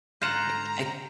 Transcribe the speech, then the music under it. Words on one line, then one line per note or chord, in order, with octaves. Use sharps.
I I
G#2 D3 F4 F#5 A#5 G6 A#6 E7